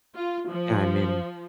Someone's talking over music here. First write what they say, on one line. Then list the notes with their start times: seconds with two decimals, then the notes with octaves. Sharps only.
Yeah, I mean
0.14 F4
0.49 F3